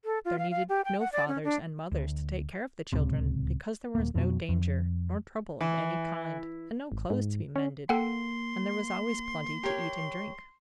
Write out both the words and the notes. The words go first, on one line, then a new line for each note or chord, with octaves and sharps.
There needed no fathers and mothers to take care of the children; because there was no danger, nor trouble of any kind, and no clothes to be mended, and there was always plenty to eat and drink.
A4
F4
F5
F5
G4
G5
F#5
D5
C#4
D4
D2
D1 C#2 C3
D#1 A#3
F2 B2 F#3
F2
E3
G#1
G#2
C#4
A#3 A4 F#5 G5 C6
G4 A#4 C#5